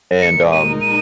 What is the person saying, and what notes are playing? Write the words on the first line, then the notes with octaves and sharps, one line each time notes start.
And, um,
A#2 G#3 D#4 A#4 C#7
D#7
D#7